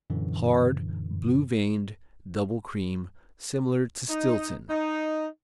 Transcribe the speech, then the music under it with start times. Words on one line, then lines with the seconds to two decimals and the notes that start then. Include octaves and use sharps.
Hard; blue-veined; double cream; similar to Stilton.
0.10 F#2 A#2 D3 E3
4.10 D#4
4.70 D#4